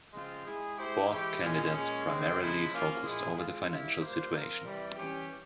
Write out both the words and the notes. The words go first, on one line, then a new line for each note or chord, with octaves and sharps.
Both candidates primarily focused over the financial situation.
C#3 F3 G#3 C4 F4
G#3 E4 G#4
G#3 E4 G4 C5
E3 G#3 E4 G4 C#5
A#2 F3 G#3 C#4
A#2 G#3 C#4
C#3 E3 G#3 C4
C#3 F3 G#3 E4
F3 A#3 C#4 F4
A#2 F3 G#3 E4 G#4
G#3 C4 F4
G3 A#3 E4
G3 A#3 F4 C5
F3 C4 F4 A#4
C3 E3 G3
E3 G3 C#4 G4